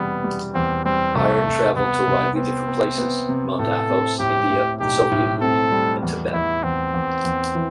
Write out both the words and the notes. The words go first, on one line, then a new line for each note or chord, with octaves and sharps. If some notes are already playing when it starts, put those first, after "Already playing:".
Byron travelled to widely different places; Mount Athos, India, the Soviet Union, and Tibet.
Already playing: E1 E2 C3 G3 B3
G3
E2 C4
G3 C4
C2 A3
C2
C2 B3
C2
B3 C4
B3
B3
C3
A2 A4
C4
A2 G4
A2
B1 G4
A2
C4 A4
G3
E2
E2 E4
E2 C4
E2
E2
E3